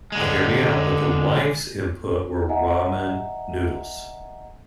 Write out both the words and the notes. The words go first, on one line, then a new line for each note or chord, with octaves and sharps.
but- hear me out- but the wife's input were ramen noodles.
D3 G#3
D#5 E5 F#5 G#5 A#5